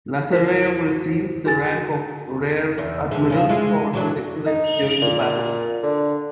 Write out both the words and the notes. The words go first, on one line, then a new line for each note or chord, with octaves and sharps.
Lazarev received the rank of Rear Admiral for his excellence during the battle.
E4 A#4 C5 B6
F#4 G#4 G#5 A6
E2
D3 E3 G#3
C#3 F3
G#3 E4 F4
E3 F#3 D4
D#4
A#2
D3